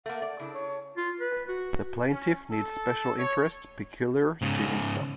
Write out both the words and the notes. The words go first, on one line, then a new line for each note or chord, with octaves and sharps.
The plaintiff needs special interest peculiar to himself.
A3 A#3 F#5
D5
C#3 D4 E4
C#5
F4
B4
F#4
C#4
A4
C#5
G#2 C#3